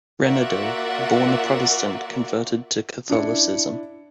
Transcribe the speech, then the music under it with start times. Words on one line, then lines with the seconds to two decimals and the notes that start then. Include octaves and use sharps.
Renaudot, born a Protestant, converted to Catholicism.
0.25 A#3 F4 F#4 D5 E5 F#5
3.10 D4 E4 C#7